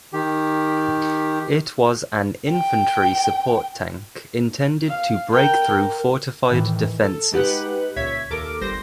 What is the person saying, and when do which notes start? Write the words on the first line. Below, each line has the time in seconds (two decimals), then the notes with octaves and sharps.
It was an infantry support tank intended to break through fortified defences.
0.13 D#3 G4
2.51 G5
4.89 F5
5.31 A#4 G5
5.66 A#4
6.49 A2 D#3 E3
7.03 A4
7.31 G#3 D#4 G4 B4 F#5 F#6
7.96 C#2 A#2 C#5 E5 G#6 B6
8.30 D#2 A4 A#4 D6 D7
8.61 G1 G3 C5 A#6